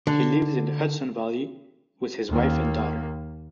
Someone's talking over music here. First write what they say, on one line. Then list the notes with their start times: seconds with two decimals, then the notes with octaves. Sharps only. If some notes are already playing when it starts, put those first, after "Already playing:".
He lives in the Hudson Valley with his wife and daughter.
0.07 D3
2.29 D#2 A#3